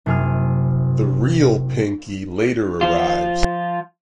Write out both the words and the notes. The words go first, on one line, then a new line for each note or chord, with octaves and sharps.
The real Pinky later arrives.
F#1 C3 G#4 D#6 F6
F3 F4